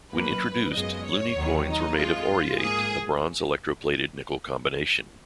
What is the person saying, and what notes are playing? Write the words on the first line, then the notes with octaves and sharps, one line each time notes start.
When introduced, loonie coins were made of Aureate, a bronze-electroplated nickel combination.
F#2 D#3 A#3 B4
F#2 F3 G#3 B3 D#5
C#5
D#2 D#3 F#3 B3
D#4
F2 F3 G#3 F4
G#2 F3 A#3 G#4